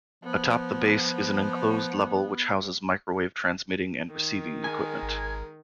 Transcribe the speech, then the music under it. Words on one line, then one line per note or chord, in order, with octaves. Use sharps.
Atop the base is an enclosed level which houses microwave transmitting and receiving equipment.
F3 B3
D#3
G#3 A#4 G#5
G#1